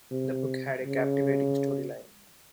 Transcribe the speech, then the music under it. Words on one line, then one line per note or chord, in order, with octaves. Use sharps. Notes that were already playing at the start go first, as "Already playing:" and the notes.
The book had a captivating storyline.
C3
C#3